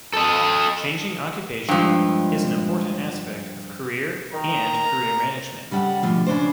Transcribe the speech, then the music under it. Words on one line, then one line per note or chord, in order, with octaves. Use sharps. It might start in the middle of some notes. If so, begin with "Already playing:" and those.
Changing occupation is an important aspect of career and career management.
A4 D#5
G2 F3 G#3
D#3 A#5
A#4
C#3 G3 A4 F#5
B2 D3 F3 A3
C#3 C#4 D4 C5